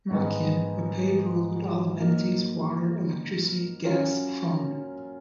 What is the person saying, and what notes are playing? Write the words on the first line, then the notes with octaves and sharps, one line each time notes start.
'Machian a paved road with all amenities, water, electricity, gas, phone.
G#2 D#3 G#3 B3
F#3 A#3 D#4
F#3 C#4 F4 A#4 C#5